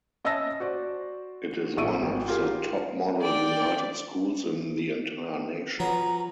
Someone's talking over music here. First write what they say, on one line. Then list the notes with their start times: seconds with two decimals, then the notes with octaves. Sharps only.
It is one of the top Model United Schools in the entire nation.
0.25 C#4 D#5 E5 A5 E6 A#6
0.60 F#4 C5 D5
1.77 A#1 E5 C#6 D7 D#7
2.03 G#1
2.28 F4 G4 G#4 A#4
3.22 D5 G5
5.80 F3 B3 C#4 F#4 A#5